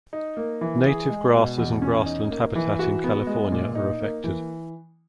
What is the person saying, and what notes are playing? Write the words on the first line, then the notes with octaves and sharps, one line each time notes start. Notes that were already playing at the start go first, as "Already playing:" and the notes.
Native grasses and grassland habitat in California are affected.
D#4
A#3
E3
G#4
G#3
B2
E2
C#4
D#4
A#3
E3
F#4
B3
G#3
A#2
D#4
A#3
E3